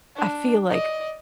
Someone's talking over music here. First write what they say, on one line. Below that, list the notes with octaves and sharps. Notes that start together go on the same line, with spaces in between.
I feel like
D4
D5 D#5